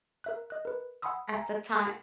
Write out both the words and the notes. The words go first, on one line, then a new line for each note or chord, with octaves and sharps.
at the time
A#4 E5 F#6
D#5 F#6
A#4 B4
F#5 G#5 B5 C6 D#6 E6
E5 G#5 A#5